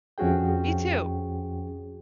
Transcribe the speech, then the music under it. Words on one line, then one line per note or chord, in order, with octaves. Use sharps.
Me too.
F2 F3 C#4 F#4 G#4 G5